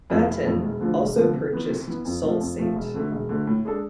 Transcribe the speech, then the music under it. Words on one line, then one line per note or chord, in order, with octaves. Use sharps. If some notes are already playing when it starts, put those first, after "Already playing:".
Baton also purchased Sault Ste.
F2 E3 A3
F1
F2 E3 A3
E1
D2 D3 F3
E1
D2 D3 F3
C3
E3 B3
C3
E3 B3
F2
C3 F3 A3
F2
C3 F3 A3
E1
D2 D3 A3
E1
D2 D3 A3
A2
G#3 D4 A4